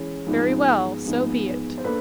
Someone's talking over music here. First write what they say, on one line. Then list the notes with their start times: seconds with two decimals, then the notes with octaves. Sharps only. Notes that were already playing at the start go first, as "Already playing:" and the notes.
"Very well: so be it."
Already playing: E3 G#3 C#4 E4
0.27 G#2 F3 G#3 B3 D#4
1.05 G#2 F3 G#3 B3 D#4
1.78 C5
1.84 A#3 D4 A4 B4